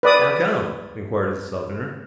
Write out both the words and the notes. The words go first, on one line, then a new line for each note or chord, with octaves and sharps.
"How come?" inquired the Southerner.
B4 D5 D#6